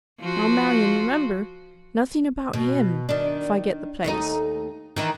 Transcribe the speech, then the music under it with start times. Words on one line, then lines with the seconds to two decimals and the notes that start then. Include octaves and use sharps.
Now, Marian, remember--nothing about HIM if I get the place.
0.20 F3 F4 F#4
2.53 B2
3.09 D#3 D4
4.04 D#2 A3 D#4
4.96 D#3 E3 D#4